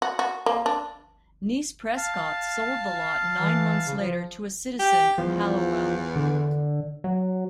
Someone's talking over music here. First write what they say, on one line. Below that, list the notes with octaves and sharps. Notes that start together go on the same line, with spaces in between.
Niece Prescott sold the lot nine months later to a citizen of Hallowell.
F#4
F#4
A#3
D4
F5 A5
E3
C#3
F3
G4
E2 F3
D3
F#3